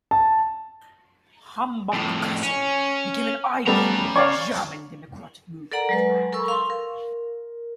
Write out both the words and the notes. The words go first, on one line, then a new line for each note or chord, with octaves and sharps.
Hambach Castle became an icon of the German democratic movement.
A5
F2 A2
C#4
G3 A3 B3 C#4 A#5
C#5 D5 F5
A4 A#4 D5 F#5 A#5
F#3 G#3 B4
A4 A#4 C#6 E6
F5 C6
A#4